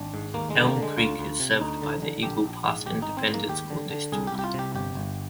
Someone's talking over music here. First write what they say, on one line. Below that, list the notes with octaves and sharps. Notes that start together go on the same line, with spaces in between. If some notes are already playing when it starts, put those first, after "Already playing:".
Elm Creek is served by the Eagle Pass Independent School District.
Already playing: G#1 D4
G#2
D#2 A#3
G#3
D3
A#3
D3
G#3
D2 F4
D2
C3
D2 D#4
D3
D3
A#1 G4
A#1
G#2
G#1 G4
D#4
G#1
C4
G#2
A#3
D#2 G4
D3
D3
C2 G#4
G4
C2
G4
F4
C3 G4
G1 G4
G1